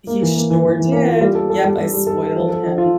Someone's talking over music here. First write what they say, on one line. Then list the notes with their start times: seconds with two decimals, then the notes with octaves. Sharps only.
He sure did! Yep, I spoiled him,
0.07 A#3
0.22 E3
0.35 A#3
0.50 E3
0.64 E3
0.79 E3
0.92 A#3
1.07 F4
1.21 G3
1.35 A4
1.50 A4
1.64 G3
1.78 G3
1.93 G3
2.07 A4
2.22 A4
2.36 F3
2.49 A4
2.63 F3
2.78 F4